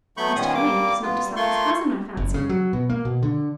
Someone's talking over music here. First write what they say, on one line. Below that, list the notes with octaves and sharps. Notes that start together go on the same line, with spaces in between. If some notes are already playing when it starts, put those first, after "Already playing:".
"Mr Elliot does not dislike his cousin, I fancy?"
F#3 A3 B3 B5 C#6 G6
A#2 D#3 B3 C#4 G#4 D#6
G3 A#3 D6
B3 F4
G3
A3 A#3 F4 C6 C#6
F#1
C#3
F#3
B2
A#3
B2
D3